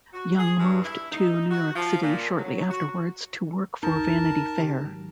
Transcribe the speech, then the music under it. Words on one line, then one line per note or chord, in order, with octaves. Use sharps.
Young moved to New York City shortly afterwards to work for "Vanity Fair".
F#4
G#4
G2
E4
D#4
F#4
F3
A#2
F#3
F#4
C2 F2 D#4 A#4 A5
C#3 G4
G#2 D#3 F#3